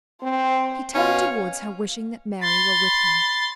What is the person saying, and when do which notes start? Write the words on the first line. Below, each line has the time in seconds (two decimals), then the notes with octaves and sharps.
He turned towards her, wishing that Mary were with him.
0.23 C4 C5
0.95 B2 C#4 F5
2.41 B5 C6 A6